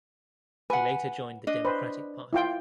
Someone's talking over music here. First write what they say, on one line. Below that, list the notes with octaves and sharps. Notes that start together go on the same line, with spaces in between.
He later joined the Democratic Party.
B4 F#5 G#5
D4 D#5
B4 C5
E4 F4 G5